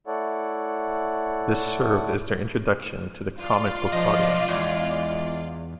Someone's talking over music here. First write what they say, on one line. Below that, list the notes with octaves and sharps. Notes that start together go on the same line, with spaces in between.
This served as their introduction to the comic book audience.
A3 E4 A4 C#5 D5 F#5
F4 D5
B1 F3 D#5
E2 G#3